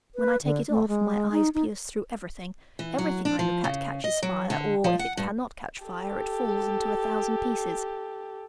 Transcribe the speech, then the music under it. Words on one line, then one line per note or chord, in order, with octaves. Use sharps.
When I take it off my eyes pierce through everything. Everything I look at catches fire, or, if it cannot catch fire, it falls into a thousand pieces.
B4
D3
A3
G#3
D#4
D#4
E3
F#3
D4
F3
C#3
D#5
F#3
D3
F3
F#5
G2
G4 A4